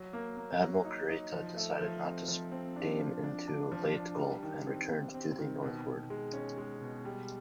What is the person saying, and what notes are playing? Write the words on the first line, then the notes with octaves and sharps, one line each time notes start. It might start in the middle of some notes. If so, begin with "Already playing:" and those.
Admiral Kurita decided not to steam into Leyte Gulf and returned to the northward.
Already playing: F#3
A#3
A#3
F#3
D#4
D#4
F3
A3
F3
C4
F3
C4
D4
F3
D4
D4
F3
D4
G3
D#3
C4
D#3
C4
D#3
B2
B2
G#3
C#4
G#3
B2
G3